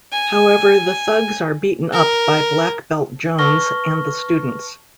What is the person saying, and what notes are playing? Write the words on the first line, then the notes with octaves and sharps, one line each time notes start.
However, the thugs are beaten up by Black Belt Jones and the students.
G#5
A#4
B4 A5 C#6 F6 A#6 G7